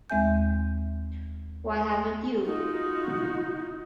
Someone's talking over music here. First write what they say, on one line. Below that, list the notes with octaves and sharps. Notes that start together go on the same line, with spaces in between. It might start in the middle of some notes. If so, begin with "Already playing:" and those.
Why haven't you?
D#2 G#3 C4 E5 G#5 G6
D#4 F4 F#4